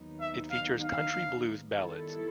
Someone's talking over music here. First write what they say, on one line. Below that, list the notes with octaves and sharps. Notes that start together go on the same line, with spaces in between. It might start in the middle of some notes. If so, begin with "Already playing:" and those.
It features country blues ballads.
Already playing: D#2 D#3 F#3 B3 D#4
E5
F5
F5
D#3 G3 B3 E4 A4